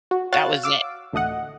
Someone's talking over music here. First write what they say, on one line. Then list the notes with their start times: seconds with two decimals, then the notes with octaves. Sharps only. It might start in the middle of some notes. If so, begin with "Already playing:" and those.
that was it.
0.11 F#4
0.33 C#5 F5 F#5 F#6 A6
0.63 F5 D6 E6
1.13 A1 D2 A3 D#5 F#5